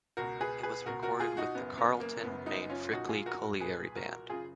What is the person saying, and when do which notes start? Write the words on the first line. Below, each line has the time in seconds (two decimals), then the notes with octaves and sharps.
It was recorded with the Carlton Main Frickley Colliery Band.
0.17 C#2 B2 F#4 A#4
0.41 G#4 B4
0.63 G#4 B4
0.86 C#2 B2 F#4 A#4
1.03 F#4 A#4
1.20 F4 G#4
1.37 D#4 F#4
1.55 F#1 F#2 C#3 B3
1.78 B3
2.00 A#3
2.23 F#1 F#2 C#3 B3
2.46 B3 D#4
2.70 C#4 F4
2.85 F4
2.92 B1 A#2 D#4 F#4
3.09 F4 G#4
3.26 F#4 A#4
3.60 B1 A#2 G#4 B4
3.96 F#4 A#4
4.29 F#1 C#3 F4 G#4